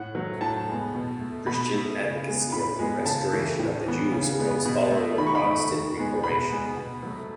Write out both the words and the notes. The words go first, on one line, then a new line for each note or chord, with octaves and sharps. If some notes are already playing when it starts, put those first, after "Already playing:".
Christian advocacy of the restoration of the Jews arose following the Protestant Reformation.
Already playing: A2 F#5
F#3 A3
A2 A5
G#3 B3
B2
A3
B2 B5
A3
C#3
G#3 B3
A2 B5
G#3 B3
C#3 A5
E3 A3
A2
E3 B3
C#3
G#3 B3
B2
A3
D#3 B5
C#6
B5
A3
D#3
G#3 B3
B2 B5
G#3 B3
B2
F#3 A3